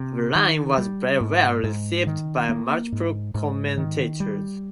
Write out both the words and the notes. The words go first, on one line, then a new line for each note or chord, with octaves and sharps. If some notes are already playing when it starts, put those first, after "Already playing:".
Aveline was very well received by multiple commentators.
Already playing: C3
D#3
G3
G#2
G#2
D#3
A#3
G#2
G#2
D#3
G3